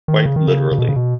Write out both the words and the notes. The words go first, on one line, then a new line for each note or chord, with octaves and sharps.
Quite literally.
D#3
C#3
D#3
C#3
C#3
B2
C#3
B2